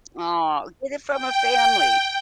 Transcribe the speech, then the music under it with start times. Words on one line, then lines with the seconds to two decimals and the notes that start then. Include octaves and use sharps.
Aw, get it from a family.
1.10 G5